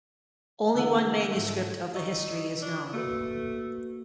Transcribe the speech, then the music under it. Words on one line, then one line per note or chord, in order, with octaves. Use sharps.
Only one manuscript of the history is known.
D3 E3 A#3 F#5 E6 F#6
G#2 F3 G#3 A3
D#4 C#6 E6
D4
A3 A#3 F#4 B4